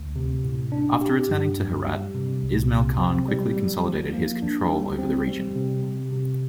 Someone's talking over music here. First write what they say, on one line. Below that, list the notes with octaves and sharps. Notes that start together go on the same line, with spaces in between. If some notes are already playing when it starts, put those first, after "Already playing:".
After returning to Herat, Ismail Khan quickly consolidated his control over the region.
Already playing: D2
C3
A2
D4
G4
G2
G2
G3
C3
C2
C3
C4
G3
G3
F3
A#3
D4
G3
C4
G3
C3
C3
C3